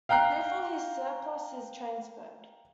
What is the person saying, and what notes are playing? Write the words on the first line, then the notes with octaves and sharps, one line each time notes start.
Therefore his surplus is transferred.
F5 G5 A#5 F#6 C7